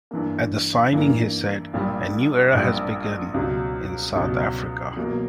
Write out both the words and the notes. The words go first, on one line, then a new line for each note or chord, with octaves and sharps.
At the signing he said A new era has begun in South Africa.
G2 E3 A#3
G2 E3 A#3
A#1 A#2 G3
A#1 A#2 G3
C#2 B2 F#3
C#2 B2 F#3
E2 B2 F#3 A#3